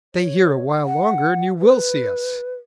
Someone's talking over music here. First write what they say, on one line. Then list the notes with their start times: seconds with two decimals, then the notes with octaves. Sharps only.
"Stay here a while longer and you will see us!"
0.14 C#5
0.85 F#5
1.59 B4